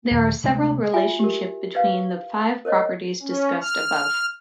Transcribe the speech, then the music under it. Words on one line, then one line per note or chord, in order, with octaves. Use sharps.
There are several relationship between the five properties discussed above.
D#1
C3 G#3 A3 C#4
F4 F#4 E5 G#5 B5
G4 A#4
B4 F5
A#4 C5 C#5 D#5
C#4
F6